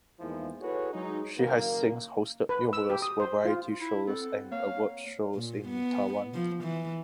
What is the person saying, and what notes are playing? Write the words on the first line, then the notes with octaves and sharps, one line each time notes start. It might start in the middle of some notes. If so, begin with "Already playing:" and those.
She has since hosted numerous variety shows and award shows in Taiwan.
E2 F3 G#3 A#3 D#4 E4
E4 F#4 G#4 A4 B4 C#5
F#3 G#3 D#4
F#1 F#2 D#3 A#3
B4
E6
G4
D#6
C5
F4
E4
C4 A4 F#5
A#3 C#5 F5
A#2
B3
F3
E3